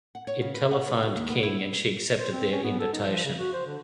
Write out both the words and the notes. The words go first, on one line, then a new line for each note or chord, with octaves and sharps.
It telephoned King and she accepted their invitation.
F#5
C#5
C#3
B4
F#5
B4
F#4
D#2
B3
E4
C5
C4
C#4
B3
A4
D#4
F3
C#3
F#4
C5
D3